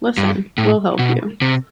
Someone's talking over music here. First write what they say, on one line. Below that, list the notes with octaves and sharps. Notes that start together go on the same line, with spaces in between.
Listen, we’ll help you.
G2
A2
B2
C3